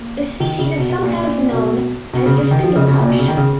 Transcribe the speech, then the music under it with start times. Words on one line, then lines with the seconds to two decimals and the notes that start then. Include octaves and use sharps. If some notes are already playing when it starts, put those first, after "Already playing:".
The species is sometimes knows as the "Spindle Pouch".
Already playing: A#3
0.40 D#3
0.59 C#3
0.77 B2
0.89 B2
1.02 A#2
1.15 A#2
1.52 B2
2.13 B2
2.26 C#3
2.38 C#3
2.51 D#3
2.63 F3
2.76 C#3
2.88 C#3
3.00 A#2
3.10 B2
3.19 C#3
3.28 D#3
3.37 C#3